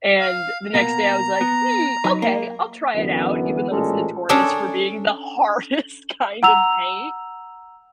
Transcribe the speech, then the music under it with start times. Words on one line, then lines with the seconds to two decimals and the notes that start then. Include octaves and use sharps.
and the next day I was, like, "Hmm, okay, I'll try it out," even though it's notorious for being the hardest kind of paint,
0.20 F5
0.74 B2 A#3 A#5
1.41 B3
2.04 F#3 D#4 B4
2.22 A#3
2.95 F#2 D3 E3 B3
3.71 A1 A#2 G#3 C#4 A4
4.29 C#4 D4 A4 D5 D#5 A#5
6.43 F#5 A#5 E6 F7